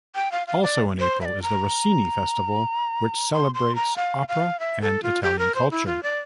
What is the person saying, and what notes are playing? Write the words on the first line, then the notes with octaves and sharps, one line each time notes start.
Also in April is the Rossini Festival, which celebrates opera and Italian culture.
G5
F5
F5
D5
C5
E5
D5
A#5
C6
C6
A#5
F5
F5
E5
A4
F4
G4
A#4
C5
E4
F4
D5